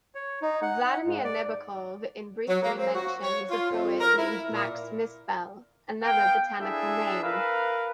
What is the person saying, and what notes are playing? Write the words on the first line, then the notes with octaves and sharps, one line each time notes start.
Vladimir Nabokov in briefly mentions a poet named Max Mispel, "another botanical name".
C#5
D#4
F#5
G#2
D5
F#3
A#3
C4
F#4
C#5
F4
F2
A#4
E4
A#2
B3 F5 G5
D4 E4 G#4 A4 E5
A#4 B4 F5